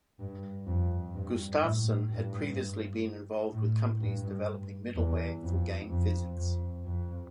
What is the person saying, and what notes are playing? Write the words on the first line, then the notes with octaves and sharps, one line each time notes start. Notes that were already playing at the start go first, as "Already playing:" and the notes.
Gustafsson had previously been involved with companies developing middleware for game physics.
G2
F2
G2
A2
G2
A2
G2
E2
F2
F2
F2
F2